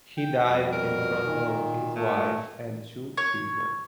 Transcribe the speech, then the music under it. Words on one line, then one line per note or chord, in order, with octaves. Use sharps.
He died in front of his wife and two children.
G5
F2 B2 G3
A#4
A#2 D#3
A#2 A3
C#5